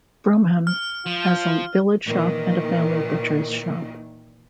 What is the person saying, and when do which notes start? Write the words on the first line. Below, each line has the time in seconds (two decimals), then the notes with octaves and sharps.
Bromham has a village shop and a family butcher's shop.
0.67 F6
1.06 F3 F4
2.07 A#2 D#3 E3 A#4